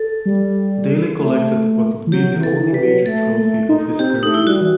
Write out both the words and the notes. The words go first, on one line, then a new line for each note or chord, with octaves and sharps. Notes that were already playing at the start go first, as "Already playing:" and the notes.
Daley collected what would be the only major trophy of his career.
Already playing: A4
G3
A3
E3
F#3 G4
E3
A4
E3
G3 B4
F#3
A3 A4
A3
D#4
D#4
C4 G4
A3 D#4
E4
G3 F#4
E3